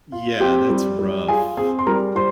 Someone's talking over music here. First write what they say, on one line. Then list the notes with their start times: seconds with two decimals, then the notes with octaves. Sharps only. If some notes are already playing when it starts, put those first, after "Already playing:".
Yeah. That's rough.
0.12 F4
0.40 C4 G4 G5
0.69 G3
0.99 G3
1.28 F4 G#4 G#5
1.57 C4 G#4 G#5
1.79 C6
1.87 G3 A#4 A#5
2.15 G3 C5 C6